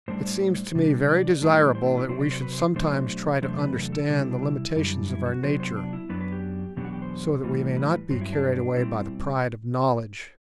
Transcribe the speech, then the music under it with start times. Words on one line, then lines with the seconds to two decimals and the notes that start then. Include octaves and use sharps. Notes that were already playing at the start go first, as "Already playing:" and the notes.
It seems to me very desirable that we should sometimes try to understand the limitations of our nature, so that we may not be carried away by the pride of knowledge.
0.08 A2 G3 D4 C5
0.25 C5
0.75 C3 G3 D4
1.08 D5
1.42 A2 E3 G3 D4
1.75 C5
1.82 E4
1.86 D4
1.97 E4
2.08 C3 F#3 C4 C5
2.20 D5
2.31 C5
2.42 B4
2.53 C5
2.76 B2 F#3 A3 D4 C5
3.42 E2 C3 F#3 A3 D4 C5
3.59 B4
3.76 A4
3.92 A4
4.09 C3 G3 D4 A4
4.20 E4
4.31 D4
4.43 E4
4.76 F#2 D3 G3
5.09 E4
5.26 F#4
5.43 C3 F#3 B3 D4 C5
5.60 C5
5.76 D4
5.93 E4
6.09 F#2 F#3 B3 D4 B4
6.21 B4
6.32 G4
6.76 E2 B2 F#3 B3 D4 G4
6.85 F#4
6.93 G4
7.02 C5
7.43 A2 E3 G3
7.77 B4
8.10 G2 F#3 C4
8.21 E4
8.33 D4
8.77 B2 G3 C4 E4